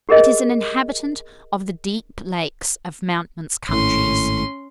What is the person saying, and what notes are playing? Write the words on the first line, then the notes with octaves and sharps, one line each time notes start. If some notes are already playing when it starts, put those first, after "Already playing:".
It is an inhabitant of the deep lakes of mountainous countries.
G4 G#4 A#4 D#5
G#1 A2 C#4 C6